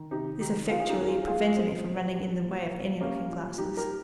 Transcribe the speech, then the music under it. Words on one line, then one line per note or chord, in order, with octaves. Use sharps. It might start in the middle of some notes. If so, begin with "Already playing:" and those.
This effectually prevented me from running in the way of any looking-glasses.
Already playing: D#3
C3 D#4 G4
D#3 D#4 G4
D#3 F4 G#4
G#4
D#4 G4
F2 A#4
F4 G#4
A#3 F4 G#4
A#2 C4
A#2
G3
A#2
A#3
G3 A#3 C#4
A#2
G3 D#4 G4
G4 A#4